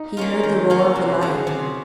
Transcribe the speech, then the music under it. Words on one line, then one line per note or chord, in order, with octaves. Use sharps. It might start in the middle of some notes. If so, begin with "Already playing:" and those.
He heard the roar of the lion.
Already playing: D#4
A#3 C#4 F4
D#3
A#3 C#4 F4
C3 F#4
C5
F#3 C#4 G#4
G#4
C3